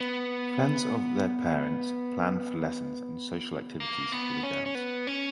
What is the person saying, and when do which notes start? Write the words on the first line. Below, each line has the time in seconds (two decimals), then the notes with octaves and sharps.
Friends of their parents planned for lessons and social activities for the girls.
0.01 B3
3.80 A#3
4.12 B3
4.43 C#4
4.66 C#4
4.75 B3
5.07 C#4